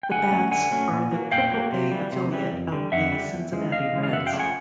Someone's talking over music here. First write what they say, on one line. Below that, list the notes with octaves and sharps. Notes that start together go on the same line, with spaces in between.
The Bats are the Triple-A affiliate of the Cincinnati Reds.
G5
D3 F#5 G#5
F#3 A3 C#4
D3 F#5 G#5
F#3 A3 C#4
A#2
F#3 A#3
A#2 F5 G5
F#3 A#3
C3
E3 G3
C3
E3 G3
F2
D3 G3
F2 E5 F#5
D3 G3
E2
C#3 E3 G#3
E2 D#5 F5
C#3 E3 G#3
F5
F#2 E5 F#5
F5 G5
C#3 F3 A3 D4
F#5 G#5